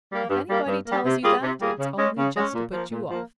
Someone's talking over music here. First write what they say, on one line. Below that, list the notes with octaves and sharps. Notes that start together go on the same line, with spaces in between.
If anybody tells you that it's only just to put you off.
G3 A#3
G2
G3 A#3
G2
G3 A#3
C3
G3 A#3 F4 G#4
C3
G3 A#3 F4 G#4
C#3
G#3 C#4
C#3
G#3 C#4
A#2
F3 A#3
A#2
F3 A#3